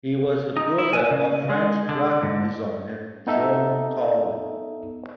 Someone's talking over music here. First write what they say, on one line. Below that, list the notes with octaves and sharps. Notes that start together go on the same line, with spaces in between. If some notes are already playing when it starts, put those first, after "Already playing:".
He was the brother of French graphic designer Jean Carlu.
D#4
E4
G#5
C#3
G#3
D3
G#2
B3 D#4 A4 E5